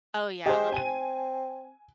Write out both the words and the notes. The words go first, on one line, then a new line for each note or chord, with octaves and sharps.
Oh, yeah, the
G#3 G4 C5
C4 G#5 D#7